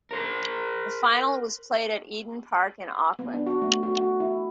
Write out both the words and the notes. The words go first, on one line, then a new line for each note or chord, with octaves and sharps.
The final was played at Eden Park in Auckland.
A#4 C5
B3
D4
F#4
A3
F#4
F#4
E4